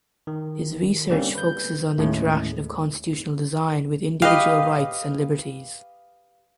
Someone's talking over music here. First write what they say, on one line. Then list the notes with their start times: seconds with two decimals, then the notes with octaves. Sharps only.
His research focuses on the interaction of constitutional design with individual rights and liberties.
0.27 D#3
1.10 D3 G3 A#3 C4 C#4
1.35 B4 G6
1.98 D#2 A2 G#3 A3 C#4
4.22 G4 B4 D#5 F5